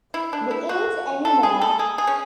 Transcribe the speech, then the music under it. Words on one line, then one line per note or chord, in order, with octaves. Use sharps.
There ain't any more.
E4
D4
E4
F#4
A4
G#4
A4
G#4
G#4
C#4